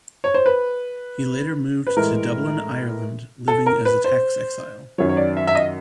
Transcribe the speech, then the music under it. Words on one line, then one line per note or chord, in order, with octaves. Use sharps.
He later moved to Dublin, Ireland, living as a tax exile.
C#5
C5
B4
B4
A2 E3 G#3 A#4
A4
A#4
B4
C5
F#2 D#3 F#3 C#5
C#5
D5
E5
E5
D#5